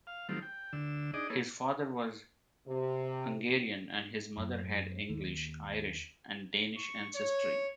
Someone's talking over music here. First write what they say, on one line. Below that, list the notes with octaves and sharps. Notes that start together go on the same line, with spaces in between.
His father was Hungarian and his mother had English, Irish, and Danish ancestry.
F5
D#3 F#3 G3 A3 C4 F4
G5
D2 D3 E6
D4 D#4 G#4 D5 D#5
A#3 E4 G#4 A4 B4 C#5
C3
F#2
D#2
C#6
C#5